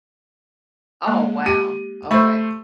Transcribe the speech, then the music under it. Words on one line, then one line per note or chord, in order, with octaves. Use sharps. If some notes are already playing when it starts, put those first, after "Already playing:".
Oh, wow, okay.
G#3 A#3
G4 D#7
A3 C5 B5 C#6